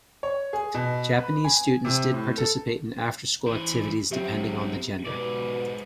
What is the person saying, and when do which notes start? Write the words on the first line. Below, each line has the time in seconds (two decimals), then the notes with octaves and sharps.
Japanese students did participate in after-school activities depending on the gender.
0.23 C#5
0.53 G#4
0.74 B2
1.18 B4
1.44 G#5
1.85 C3
2.14 A2
2.38 A4
3.46 E3 C5
4.11 F#2 C4 G4 E5
5.05 G#2 B2 B4 D5